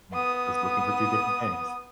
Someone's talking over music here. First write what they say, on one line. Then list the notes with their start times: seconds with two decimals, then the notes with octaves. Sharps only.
we're just looking for two different things.
0.13 B3 D#6